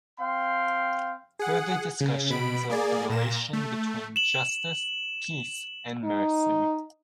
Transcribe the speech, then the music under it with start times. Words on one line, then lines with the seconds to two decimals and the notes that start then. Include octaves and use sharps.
Further discussion of the relation between justice, peace and mercy.
0.19 C4 F5 G5 C6
1.39 G#4 F#5
2.00 C#3
2.30 B2 B5 D7
2.70 A#3 G#4 D5
3.09 A#2 A#6 E7
3.53 A3
4.16 E7 F#7
6.04 D#4